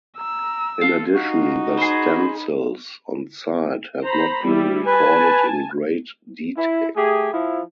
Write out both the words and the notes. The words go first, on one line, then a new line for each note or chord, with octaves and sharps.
In addition the stencils on site have not been recorded in great detail.
A#5 E6
F4 A4
D#4 F#4 F5
G#4 C5 B5
C5 A#5 B5
G3 E4
B4 G#5 A5
E4
A3 G4 G#4
F3 E4